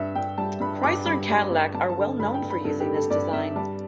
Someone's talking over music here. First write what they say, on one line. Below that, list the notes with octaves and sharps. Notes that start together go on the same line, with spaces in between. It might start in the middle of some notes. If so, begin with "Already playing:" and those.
Chrysler and Cadillac are well known for using this design.
Already playing: G2 E5
G2 G5
G3 A5
G2 B5
G2 D6
G3 B5
G3 B5
G2
G2 A5
A5
D3
G2 B5
G5
G2
B5
G2 A4
G4
A3
A4
G2 D5
G2 E5
G3 A5